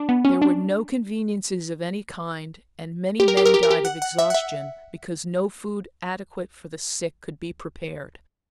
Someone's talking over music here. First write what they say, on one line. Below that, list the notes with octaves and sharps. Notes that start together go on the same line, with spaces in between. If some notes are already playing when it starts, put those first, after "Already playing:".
There were no conveniences of any kind and many men died of exhaustion because no food adequate for the sick could be prepared.
Already playing: D4
B3
C#4
D4
G4
A#4
G4
A#4
G4
A#4
G4
F#5
F#5
E5
F#5
E5